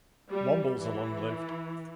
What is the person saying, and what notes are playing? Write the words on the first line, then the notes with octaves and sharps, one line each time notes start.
Wombles are long-lived.
G3
E3